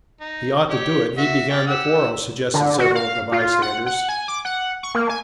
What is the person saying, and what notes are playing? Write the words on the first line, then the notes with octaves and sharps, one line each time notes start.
"He ought to do it: he began the quarrel!" suggested several of the bystanders.
D#4
G4 C#5 G5
F#4 E5
C#5 D5 G5
G4 F#5 E6
D3
F#4
F5
F4
F#5
F#5
G#5
D6
F#5
C#6
A#3
G#5